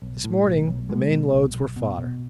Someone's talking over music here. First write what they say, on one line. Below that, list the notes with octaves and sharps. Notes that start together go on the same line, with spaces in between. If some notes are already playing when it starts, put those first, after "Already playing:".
This morning the main loads were fodder.
B1
A2
B1
B1
B2 G#3
B2
B1
B1
B2
B2